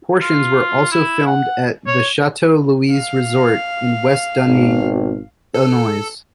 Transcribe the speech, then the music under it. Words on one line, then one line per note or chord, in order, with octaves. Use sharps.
Portions were also filmed at the Chateau Louise Resort in West Dundee, Illinois.
F4
E4
F#5
C#5
F5
G#1 B2
A4